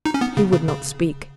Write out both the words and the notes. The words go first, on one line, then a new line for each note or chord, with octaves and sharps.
He would not speak.
D#4
C#4
B3
C#3
C#3
C#3